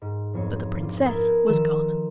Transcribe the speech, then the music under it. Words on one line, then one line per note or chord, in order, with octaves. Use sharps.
But the princess was gone.
G#2
B1 F2 C#5
D4 F4
A#4 B4 D#6 E6 G#6 A6
D#3 F3 A4 E6 E7